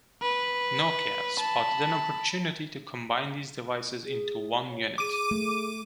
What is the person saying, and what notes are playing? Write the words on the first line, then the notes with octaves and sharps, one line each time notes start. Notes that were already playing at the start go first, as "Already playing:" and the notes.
Nokia spotted an opportunity to combine these devices into one unit.
B4
A5 B5
G#4
C#5
G#4 D6 D#7
A3